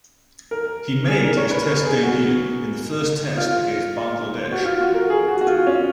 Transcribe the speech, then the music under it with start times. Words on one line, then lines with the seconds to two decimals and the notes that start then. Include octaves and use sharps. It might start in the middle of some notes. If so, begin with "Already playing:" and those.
He made his Test debut in the first Test against Bangladesh.
0.51 A#4
1.08 G#4
1.22 A#4
1.37 C#5
1.51 B4
1.65 A#4
1.85 G#4
2.03 F#4
3.37 F4
4.52 F#4
4.66 F4
4.81 F#4
4.94 A#4
5.10 G#4
5.28 F#4
5.41 F#4
5.47 F4
5.67 C#4